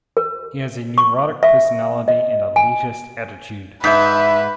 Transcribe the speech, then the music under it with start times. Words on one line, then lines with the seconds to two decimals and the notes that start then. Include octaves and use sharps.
He has a neurotic personality and elitist attitude.
0.17 A#4
0.98 C#6
1.43 E5
2.08 D#5
2.56 G#5
3.84 G#2 B4 E5 G6 B6